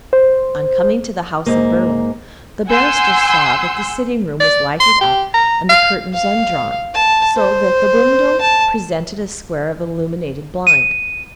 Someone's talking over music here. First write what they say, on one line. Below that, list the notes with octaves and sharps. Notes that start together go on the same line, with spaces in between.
On coming to the house of Berwin, the barrister saw that the sitting-room was lighted up and the curtains undrawn, so that the window presented a square of illuminated blind.
C5
G#2 A#3
F#5 G#5 C6 E6 G6
D5
C6
G4
A#5
F5
F5
A5
C5
A5
D#7